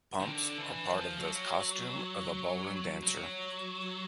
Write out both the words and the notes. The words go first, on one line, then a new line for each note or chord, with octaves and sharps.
Pumps are also part of the costume of a ballroom dancer.
D#3
D3
E3
F3
F#3
F#3